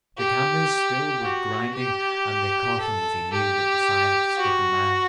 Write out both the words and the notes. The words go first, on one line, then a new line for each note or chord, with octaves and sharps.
The cameras still were grinding and they caught him as he kneeled at the side of the stricken man.
G4
F#4
G4
A4
G4
F#4